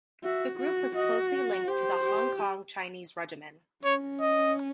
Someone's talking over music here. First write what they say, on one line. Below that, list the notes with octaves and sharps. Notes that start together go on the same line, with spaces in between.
The group was closely linked to the Hong Kong Chinese Regiment.
F#4 E5
F#4
F#4 D#5
G4 C5
G4
C#4 C#5
D#5